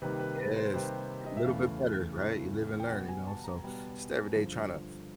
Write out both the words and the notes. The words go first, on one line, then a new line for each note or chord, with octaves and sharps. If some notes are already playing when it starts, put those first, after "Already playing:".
Yes! A little bit better, right? You live and learn, you know, so just every day trying to,
C3 D#3 G3 A#3 B4
B4
B4
C5
C3 D#3 G3 A#3 B4
D#5
E5
E2 C#3 E3 A3 F5
E2 C#3 E3 A3
G5
B2 G3 B3 F#5
G#5
A5
A#5
B2 G3 B3
G2 D3 F3